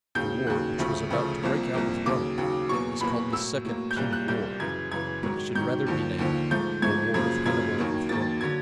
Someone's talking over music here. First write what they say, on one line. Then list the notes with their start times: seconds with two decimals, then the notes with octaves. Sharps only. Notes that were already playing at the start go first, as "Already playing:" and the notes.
The war which was about to break out with Rome is called the second Punic war, but it should rather be named the war of Hannibal with Rome.
0.15 D#2 C#3 F#3 G6
0.47 D#2 C#3 F#3 F#6
0.78 D2 C#3 F3 A3
1.10 D2 C#3 F3 A3
1.42 C2 C3 F3 A#3
1.74 C2 C3 F3 A#3
2.06 D#2 C#3 F#3 D6
2.38 D#2 C#3 F#3
2.69 E2 B2 F#3 A#3 C#6
3.01 E2 B2 F#3 A#3 B5
3.32 A2 F#3 A#3 E6
3.65 A2 F#3 A#3
3.91 G6
3.96 C2 A#2 G3 A#3 F#6
4.13 F#6
4.28 C2 A#2 G3 A#3 G6
4.60 F#2 C#3 E3 G#6
4.92 F#2 C#3 E3 G#6
5.23 G#2 D#3 F#3
5.55 G#2 D#3 F#3 G6
5.87 D#2 D3 F3
6.19 D#2 D3 F3
6.51 G#2 F3 A3 G6
6.82 G#2 F3 A3 G#6
7.14 F#2 C#3 F3 A#3 G#6
7.46 F#2 C#3 F3 A#3 G#6
7.78 D#2 D#3 F#3 A#3
8.09 D#2 D#3 F#3 A#3 A6
8.41 D3 F#3 A#3 G#6